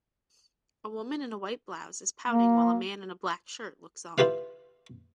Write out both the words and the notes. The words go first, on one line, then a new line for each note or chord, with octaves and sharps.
A woman in a white blouse is pouting while a man in a black shirt looks on.
A#3
E4 F4 G4 B4 F5